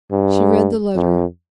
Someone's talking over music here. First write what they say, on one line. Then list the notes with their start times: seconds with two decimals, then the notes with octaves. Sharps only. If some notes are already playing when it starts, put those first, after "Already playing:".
She read the letter.
0.12 G2
0.95 F2